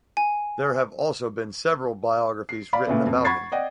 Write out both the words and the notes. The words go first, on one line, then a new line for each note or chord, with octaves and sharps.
There have also been several biographies written about him.
G#5
C7
D5 F5 B5
A#2 C#3 A3 B3
F2
F#5 B5 C#6 G#6 A6 C7
D5 D#5 F#5 G5